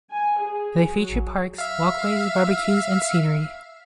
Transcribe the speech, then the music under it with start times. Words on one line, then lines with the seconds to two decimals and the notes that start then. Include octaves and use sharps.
They feature parks, walkways, barbecues and scenery.
0.11 G#5
0.41 G#4
0.90 F#3
1.58 E5 F5